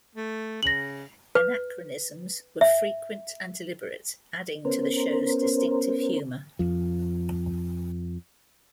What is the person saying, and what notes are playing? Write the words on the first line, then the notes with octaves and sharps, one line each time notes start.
Anachronisms were frequent and deliberate, adding to the show's distinctive humour.
A3
C#3 A#6 F#7
B4
E5
B3 C#4 A#4 C5
F2 F3